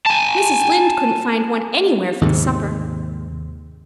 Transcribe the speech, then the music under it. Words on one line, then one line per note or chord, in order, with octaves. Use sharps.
Mrs. Lynde couldn't find one anywhere for the supper.
G#5 A5
D#2 G#2 C3